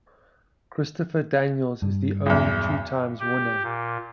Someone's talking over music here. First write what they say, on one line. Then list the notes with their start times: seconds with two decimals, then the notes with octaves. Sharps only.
Christopher Daniels is the only two times winner.
1.82 G2
2.26 B1 E2
3.20 G4
3.63 A#2